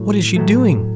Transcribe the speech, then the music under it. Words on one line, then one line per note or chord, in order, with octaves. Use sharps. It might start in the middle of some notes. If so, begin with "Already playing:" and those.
What is she doing?
Already playing: A2 F#3 A3
A2 F#3 A3